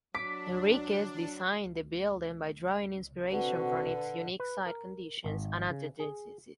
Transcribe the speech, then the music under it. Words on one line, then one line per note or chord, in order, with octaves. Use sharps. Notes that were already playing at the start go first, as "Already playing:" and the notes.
Henriquez designed the building by drawing inspiration from its unique site conditions and adjacencies.
F#3 D4 D6 B6
D3 C4 F#4 B4
B4
A#4
G#1
C#3
G#4